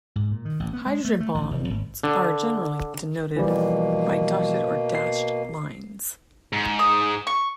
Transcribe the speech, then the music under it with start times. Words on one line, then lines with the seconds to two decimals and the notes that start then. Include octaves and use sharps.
Hydrogen bonds are generally denoted by dotted or dashed lines.
0.16 G#2
0.31 A#2
0.45 D#3
0.60 A1
0.73 B3
0.86 G#3
1.05 A3
1.20 A3
1.35 A1
1.51 F1
1.70 G#1
2.03 D3
3.36 B2 E3 F3 G3 A#3
4.95 C7
6.53 G#2
6.79 D#6
7.27 C#6